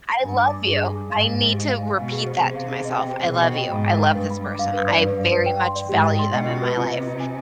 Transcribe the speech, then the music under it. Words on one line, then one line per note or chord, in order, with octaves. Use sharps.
I love you." I need to repeat that to myself. "I love you. I love this person. I very much value them in my life,
G2 G#5
D6
D5
G2 G#4
G#5
D6
G#2 F5
G#5
C5
G4
F5
G#5
B2 F5
G#4
C5
C3 G#4
F5
G#4
D#5
G5
C5
B2 G#4
D#5
G5
G#2 B5
D6
F5
G2 B4
B5
D6
F5
B4
D5
B4
F5
B4
G5
C6
D5
G#2 G4
G5
C6
B2 D#5
F4
B4
C3 F4
D#5
F4
G#5